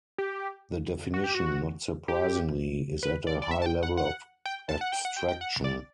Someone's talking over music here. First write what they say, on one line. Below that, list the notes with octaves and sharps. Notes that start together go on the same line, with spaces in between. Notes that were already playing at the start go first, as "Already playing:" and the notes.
The definition, not surprisingly, is at a high level of abstraction.
G4
F#4
G4
F#4
G4
B4
D5
D5
E5
A5
G5
F#5
F#5
G5
A5
F#5
G5
F#5
G5
G5
F#5
D5